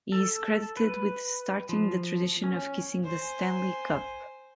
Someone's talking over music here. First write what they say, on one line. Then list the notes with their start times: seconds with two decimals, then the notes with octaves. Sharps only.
He is credited with starting the tradition of kissing the Stanley Cup.
0.12 A4
0.77 B4
1.69 F3
2.44 C#4
3.04 C5 G#5